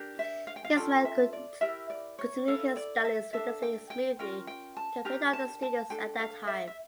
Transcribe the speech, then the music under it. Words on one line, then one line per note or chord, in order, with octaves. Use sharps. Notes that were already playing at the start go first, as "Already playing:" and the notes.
Ismail could continue his studies relatively smoothly compared to other students at that time.
Already playing: D4 G4 A#4
E5
F5
G5
F5
C#4 F4 A4 G5
E5
D5
E4 G4 A#4 E5
D5
C#5
E4 A4 F5
D5
E5
D4 A4 E5
G5
G5
C#4 F4 A#4 G5
G5
A5
D4 G4 A#4 A#5
A5
A5
D4 A4 G5
F5
E5
E5